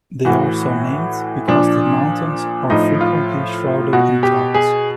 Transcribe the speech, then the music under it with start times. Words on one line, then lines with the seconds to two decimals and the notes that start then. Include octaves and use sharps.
They are so named because the mountains are frequently shrouded in clouds.
0.25 A2 E3 F#4
1.48 A#2 F3 D4
2.70 A2 F3 D#4
3.01 F4
3.93 B2 F#4
4.23 G4
4.54 G#4